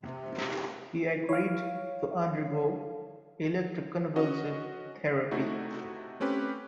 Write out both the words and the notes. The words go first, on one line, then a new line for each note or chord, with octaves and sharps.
He agreed to undergo electro-convulsive therapy.
C3
C#5 F5
C#4 F#4 D#5
C3 A3 D#4 E4 F#4
A3 C4 C#4 G4 B4